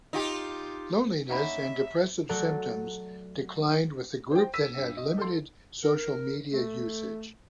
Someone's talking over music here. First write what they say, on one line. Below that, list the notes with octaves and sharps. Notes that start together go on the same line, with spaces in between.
Loneliness and depressive symptoms declined with the group that had limited social media usage.
D#4 F4 G4
A#3 C#4 D#4 C#5 E5 F#5 B5
F#3 A3 F#4 A4 D5
C5 G5
E6 B6 D#7
G2
D#5
A4 C6
A#4
A3